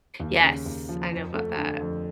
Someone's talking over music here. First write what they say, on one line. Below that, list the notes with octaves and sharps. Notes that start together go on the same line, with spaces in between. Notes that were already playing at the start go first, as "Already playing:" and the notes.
Yes, I know about that.
D#2
C#3
D#2
F3
F2
A3
D3
F2